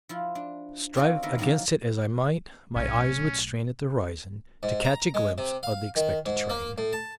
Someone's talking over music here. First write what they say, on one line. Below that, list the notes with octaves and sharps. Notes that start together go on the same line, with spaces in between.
Strive against it as I might, my eyes would strain at the horizon to catch a glimpse of the expected train.
F3 E4 F4
D4
C4 D#4 F4 F#4 A4 D5
D3 D#3 B3 A#4 E5
E2 D#3 F3 F#3 A#3 D#4
B1 A2 C#4
G#2
A#5
G#3
C3
F5
D#3
G#2
A#3
A2
A5